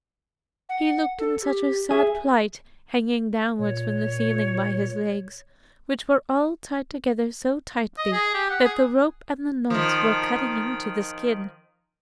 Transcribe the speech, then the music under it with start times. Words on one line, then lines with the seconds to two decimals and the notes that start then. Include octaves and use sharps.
He looked in such a sad plight hanging downwards from the ceiling by his legs, which were all tied together so tightly that the rope and the knots were cutting into the skin.
0.69 F#5
1.19 A4
1.42 G4
1.91 G#4 E5
3.59 A#2 C#5
7.98 D#5
8.12 G#4
8.34 G4
8.50 F#5
8.64 G#4
9.70 D#3 F3